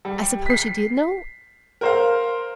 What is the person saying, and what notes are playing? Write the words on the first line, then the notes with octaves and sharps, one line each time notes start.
I suppose you did know?
G3
B6 C7
A#4 C5 F5